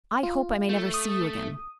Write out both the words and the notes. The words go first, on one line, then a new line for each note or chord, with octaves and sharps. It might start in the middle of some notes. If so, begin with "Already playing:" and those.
I hope I may never see you again.
F4
A3
D#6